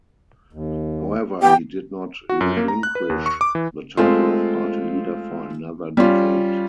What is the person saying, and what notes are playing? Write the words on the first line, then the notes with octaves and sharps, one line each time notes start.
However, he did not relinquish the title of party leader for another decade.
D#2
E3 B3 G4 G5
F#4
F#2
A#3
A#5
F#6
B4
D#2
C#6
D6
E3
G#3 A3 C4 F4
G3 C#4 F4